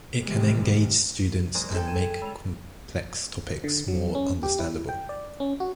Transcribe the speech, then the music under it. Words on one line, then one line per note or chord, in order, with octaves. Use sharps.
It can engage students and make complex topics more understandable.
C3 D#3 E3 G3 G#3
F3 G3 A3
G#4 A4 G5
G#6 D#7 E7
G#3 F7
D3
F#3
C#4
G4
E4
G5
D5
C#4
F#4